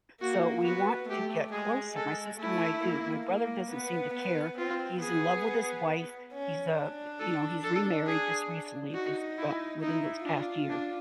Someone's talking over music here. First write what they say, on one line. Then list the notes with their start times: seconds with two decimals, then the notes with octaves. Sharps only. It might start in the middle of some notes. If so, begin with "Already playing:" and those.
So, we want to get closer; my sister and I do. My brother doesn't seem to care. He's in love with his wife, he's, uh you know, he's remarried just recently, just abou within this past year.
0.22 A#3 F#4
0.65 B3 F#4
1.09 A3 G4
1.53 G#3 G#4
1.96 G#3 A4
2.40 A3 E4
2.84 A#3
3.27 A#3
3.71 B3
4.14 B3
4.58 C4 F4
5.02 B3 G#4
6.33 C#4
6.76 D4
7.20 A4
7.64 A4
8.07 G#4
8.95 D#4 F#4
9.38 E4
9.82 D#4 E4
10.26 D4 F4
10.70 D4